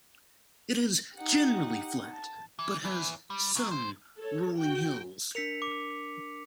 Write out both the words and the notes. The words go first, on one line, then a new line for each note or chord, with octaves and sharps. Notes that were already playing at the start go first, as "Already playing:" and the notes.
It is generally flat, but has some rolling hills.
D#4 G4 F#5
A5
E3
E2 E3
G3
C#3 F#3
C5
A4 C#5
F#4 G5
D4 A#4 B6 C#7 F7
D6